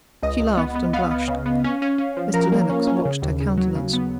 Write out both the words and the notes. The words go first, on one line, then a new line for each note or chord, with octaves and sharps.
She laughed and blushed: Mr. Lennox watched her countenance.
C#2 D#5
C#2
B3
B3
B3 F5
B3
C#3
B3
C#4
C#4
C#4
F3
F3 A#4
A#3
C#4
C#4
C#3
D#2
C#3
F#3
C#3
B3